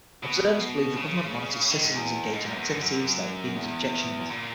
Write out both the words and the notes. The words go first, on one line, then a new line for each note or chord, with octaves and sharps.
Observers believe the government monitors citizens engaged in activities that it deems objectionable.
B2
C#3
D#3
G#2
E2
G#2
F#2
E2
F#2
F#2
E2
A#2